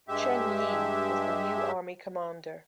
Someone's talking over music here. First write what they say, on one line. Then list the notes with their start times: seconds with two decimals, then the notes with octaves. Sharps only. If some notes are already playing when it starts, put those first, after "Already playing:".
Chen Yi was the new army commander.
0.08 G2 G#3 G4 E5